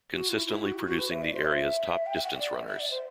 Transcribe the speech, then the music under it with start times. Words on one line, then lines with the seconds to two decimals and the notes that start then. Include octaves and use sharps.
Consistently producing the area's top distance runners.
0.14 F#4
0.30 E4
0.47 E4
0.63 F#4
0.74 G4
0.86 F#4
0.99 B4
1.11 E5
1.22 D5
1.34 C5
1.46 E5
2.06 G5
2.16 E5
2.23 F#5
2.39 D5
2.54 E5
2.67 E5
2.79 D5
2.91 C5